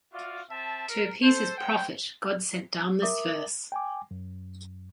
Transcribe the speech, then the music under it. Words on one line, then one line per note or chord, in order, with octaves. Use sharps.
To appease his prophet, God sent down this verse.
F4 F#4 D5 E5 F5
C4 E5 A5
A#4
A4 C5
G#3 C5 F#5 G5
A#4 E5 D6 D#6
G5 G#5 D6
F#2